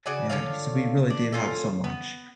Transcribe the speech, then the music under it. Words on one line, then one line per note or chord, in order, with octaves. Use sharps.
and 'cause we really do have so much,
C#3 F#4 D5 G#5
D3 F4 C#5 F5
D4
C#4 F4 A4
B3